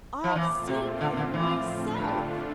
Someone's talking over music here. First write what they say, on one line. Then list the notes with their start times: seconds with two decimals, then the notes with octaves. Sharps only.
"I've seen him myself!"
0.24 F3
0.35 A#2 E3 A3 C4 F4
0.67 C3
1.00 A2 D3 F3 C4 F4
1.17 D3
1.34 E3
1.66 D3 A3 D4 F4
1.98 G2